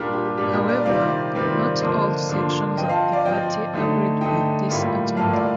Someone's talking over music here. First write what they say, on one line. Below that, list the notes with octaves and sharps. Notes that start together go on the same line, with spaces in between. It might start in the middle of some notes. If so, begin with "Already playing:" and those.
However, not all sections of the party agreed with this agenda.
Already playing: A#2 G3 D4 F4 G4 A#4
G4
G4
A#2 G3 D4 F4 G4
G4 A#4
A#4 D5
C3 D#3 G3 C4 F4 D5 F5
C3 D#3 G3 C4 F4
D3 F3 A#3 D4 F4 C5 D#5
D3 F3 A#3 D4 F4
F3 C4 F4 D#5 G5
F5 A5
D5 F5
F3 C4 F4 D#5 G5
D3 A3 D#4
D3 A3 D#4 D#5 G5
A2 G3 A#3 F4
A2 G3 A#3 F4 F5 A5
D5 F5